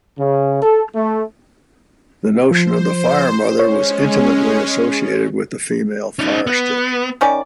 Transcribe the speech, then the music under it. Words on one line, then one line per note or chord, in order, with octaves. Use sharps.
The notion of the fire-mother was intimately associated with the female fire-stick.
C#3
A4
A3
F3 C5
G#3 C#4 C#5
C#4 D#4
B3
D#3 C#4 D5